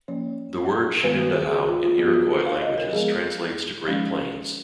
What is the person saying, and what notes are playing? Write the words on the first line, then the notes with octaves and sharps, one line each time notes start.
The word "Shenendahowe" in Iroquois languages translates to Great Plains.
F3 A#3 C#4 C#5
D#3 G#3 B3 B4
F#4
G#4
G#4
F4
F4
F3 B3 G#4
F4
F#4
G#4
F5
C#5
D#5
A#4
F3 G#3 B3 G#4
F3 G#3 C#4